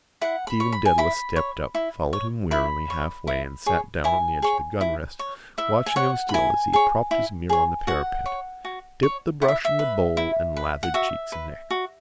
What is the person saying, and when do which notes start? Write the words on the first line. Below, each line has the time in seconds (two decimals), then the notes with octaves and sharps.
Stephen Dedalus stepped up, followed him wearily halfway and sat down on the edge of the gunrest, watching him still as he propped his mirror on the parapet, dipped the brush in the bowl and lathered cheeks and neck.
0.21 E4 F#5
0.47 B5
0.60 C#5
0.72 B5
0.85 G#5
0.98 E4 B5
1.36 C#5
1.75 E4
2.13 C#5
2.51 E4 B5
2.90 C#5
3.27 E4
3.66 G#4 C#5
4.04 E4 G#5
4.42 G#4 C#5
4.81 E4
5.19 C#5
5.58 E4 E5
5.86 G#5
5.96 C#5 F#5
6.29 B5
6.34 E4 G#5
6.73 G#4 C#5
7.11 E4
7.49 G#4 C#5
7.87 F#4 F#5
8.26 C#5
8.65 F#4
9.03 C#5
9.42 E4 F#5
9.48 E5
9.65 E5
9.79 B4
10.17 E4
10.57 B4
10.83 F#5
10.94 F#4 E5
11.32 B4
11.70 F#4